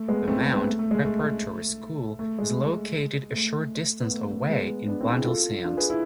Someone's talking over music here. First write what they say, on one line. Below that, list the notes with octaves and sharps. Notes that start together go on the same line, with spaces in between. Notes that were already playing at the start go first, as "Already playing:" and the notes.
"The Mount" preparatory school is located a short distance away in Blundellsands.
Already playing: A3
G#3 B3
A3 C4
A3
G#3 B3
A3
A3
G#3
A3
A3
G#3
A3
B3
A3
A3
G#3 B3
B3 D4
C4 E4
E4 G#4
F4 A4
D4 F4
G#4 B4
E4